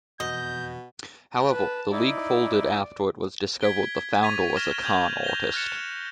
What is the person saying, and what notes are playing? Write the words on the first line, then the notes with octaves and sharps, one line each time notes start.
However, the league folded after it was discovered the founder was a con-artist.
E1 F2 B2 D#5 G6
B4 A5
D#4 E4 D5
G#6 B6 D7 G7
C#6 G#6 A6 B6 D#7 F7
F6 A6 A#6 E7 G7
G6 G#6 F7 F#7
G6 A#6 F7 G7
F6 F#6 A6 C#7 E7